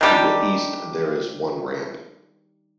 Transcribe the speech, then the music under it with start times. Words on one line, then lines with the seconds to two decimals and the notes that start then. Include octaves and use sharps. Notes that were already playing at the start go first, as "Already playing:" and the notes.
To the east there is one ramp.
0.01 D#3 G3 D4 G4